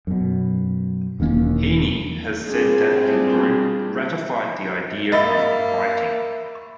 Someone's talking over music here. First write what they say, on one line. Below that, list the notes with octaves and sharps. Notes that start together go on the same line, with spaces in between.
Heaney has said that the group "ratified the idea of writing".
F#2 B2
E1 D#2 A#3 C#4
G3 C4 D4 F4 G#4
A#3 D#5 E5 B5 A6